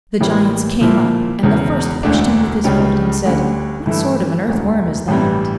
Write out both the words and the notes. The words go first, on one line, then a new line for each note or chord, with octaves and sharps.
The giants came up, and the first pushed him with his foot, and said, 'What sort of an earthworm is that?'
A1 A2 E3 G3 A#3
A#2 F3 A#3 E4
E1 E2 C#3
E1 D2 D3 A3 D4
C#2 C#3 G3 C#4
D2 D3 G3 C#4
G2 E3 A3 E4 A4
E1 D2 D3
A1 G2 E3 G3